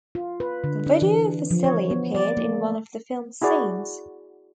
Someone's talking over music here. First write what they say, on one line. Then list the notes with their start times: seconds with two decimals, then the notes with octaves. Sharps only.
The video for "Silly" appeared in one of the film's scenes.
0.15 F4
0.40 B4
0.64 D3
0.86 D4
1.02 E3
1.51 F3
1.64 C#5
1.91 B3
2.15 D5
2.37 A#3
3.42 E4 F#4 G#4 D5